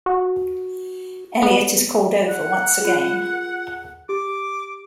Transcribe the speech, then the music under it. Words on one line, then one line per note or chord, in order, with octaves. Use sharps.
Eliot is called over once again.
F#4
B3
F#5
F4 G#4
G4 D6